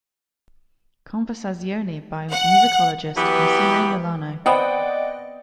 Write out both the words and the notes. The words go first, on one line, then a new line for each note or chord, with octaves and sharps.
Conversazioni by musicologist Massimo Milano.
F#5
E3 F#3 B3 G4
B3 C4 D5 D#5 F#5 G5 D#6